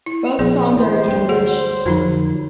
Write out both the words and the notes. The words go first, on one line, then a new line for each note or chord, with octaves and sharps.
Both songs are in English.
E4
A#1 B3 G#4 D5
E3 C5
D2 G2 G5
G#4 A4 F#5
F2 D3 F3 F#3 D#4 B5